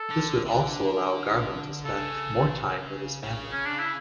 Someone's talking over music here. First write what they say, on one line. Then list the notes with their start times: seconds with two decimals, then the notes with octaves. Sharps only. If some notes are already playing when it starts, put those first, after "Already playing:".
This would also allow Garland to spend more time with his family.
Already playing: A4
0.11 D3
0.46 D3
1.84 C#3 A4
3.23 C#3
3.52 C#4
3.65 D4
3.79 E4